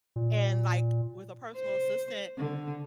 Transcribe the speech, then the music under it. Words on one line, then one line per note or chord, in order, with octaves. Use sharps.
and, like, with a personal assistant,
A#2
C5
D3